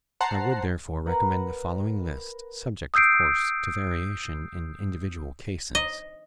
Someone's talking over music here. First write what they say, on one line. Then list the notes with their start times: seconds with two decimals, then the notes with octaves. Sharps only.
I would, therefore, recommend the following list, subject, of course, to variation in individual cases.
0.20 C5 F#5 A5 A#5 C7
1.06 A#4 B4 F#5
2.94 D#6 E6 G6 C7 D7
5.75 D#5